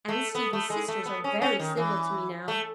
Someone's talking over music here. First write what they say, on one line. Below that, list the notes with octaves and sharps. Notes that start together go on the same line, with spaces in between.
And Stephen's sisters are very civil to me now.
A3
B3
A3
G#3
A3
B3
C#4
C#4
D#3
E3
A3